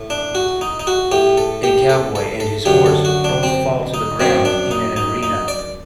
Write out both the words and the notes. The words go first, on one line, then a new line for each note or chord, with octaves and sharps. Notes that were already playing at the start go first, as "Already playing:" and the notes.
A cowboy and his horse both fall to the ground in an arena.
Already playing: A2
D4
F#4
D#4
D#4
F#4
A2 G4
A4
G4
A4
A4
A4
F#2 D3 G4
A4
F#4
D4
C4
D#4
F#2 D#3 C4
D4
D#4
D#4
D#4
D5